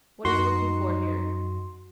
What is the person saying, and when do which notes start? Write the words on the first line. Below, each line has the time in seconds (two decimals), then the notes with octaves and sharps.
What are you looking for here?
0.25 F#2 D#4 F#4 C6